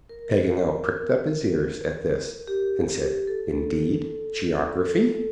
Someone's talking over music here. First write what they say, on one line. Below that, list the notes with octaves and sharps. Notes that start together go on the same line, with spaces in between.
Paganel pricked up his ears at this, and said, "Indeed, geography!"
A#4
G4
A4
A4